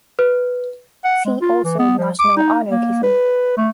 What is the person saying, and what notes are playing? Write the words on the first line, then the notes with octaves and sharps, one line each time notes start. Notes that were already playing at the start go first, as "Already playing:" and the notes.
See also National anarchism.
B4
F#5
G#3
F4
E3
B3
F3
D6
D#4
A#3
B4
A3